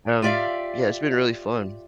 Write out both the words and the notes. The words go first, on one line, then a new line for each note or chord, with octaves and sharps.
um, yeah, it's been really fun.
F4 G4 D5 E5 F5